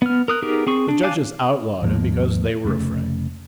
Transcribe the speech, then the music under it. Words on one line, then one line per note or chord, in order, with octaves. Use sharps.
The judges outlawed him because they were afraid.
B3 F6
A#4 D#6 F#6
B3 D#4 G4 G#4 A#4
C4 G#4 C#6
D4
F5 G#5 A5 D6 F#6
D#2 G#2 F3 A#3
F1 C#3 A3